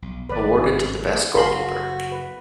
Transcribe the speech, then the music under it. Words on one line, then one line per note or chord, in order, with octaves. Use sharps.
Awarded to the best goalkeeper.
B1
G#1 G2 B4 D5
F#1 F4 F#4 B5 C6
B4